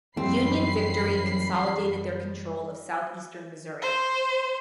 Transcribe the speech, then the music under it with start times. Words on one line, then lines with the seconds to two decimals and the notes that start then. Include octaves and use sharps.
Union victory consolidated their control of southeastern Missouri.
0.17 F#2 E3 G3 C4 B5 C7
3.82 C5